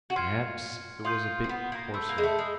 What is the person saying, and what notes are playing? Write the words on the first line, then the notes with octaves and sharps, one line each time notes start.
Perhaps it was a bit coarser.
F#4
F4 C6 F6 G#6 C#7
F4 C6 D#6 G6 C7 D#7
C4
B3
A#3
A3 B5 E6 G6
A#3
G#3
A3
G#3